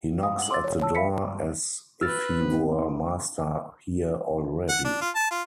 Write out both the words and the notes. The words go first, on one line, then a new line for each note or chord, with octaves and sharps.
He knocks at the door as if he were master here already!
F5 D#6
F#5 F#7
C6 D6 E6 A6
C#5
C#5 A5 E6
E5 F5 B5 B6 C#7
B4 E6 F6 A6
G2 B3 C4
F#5
D4
F4
A5
F4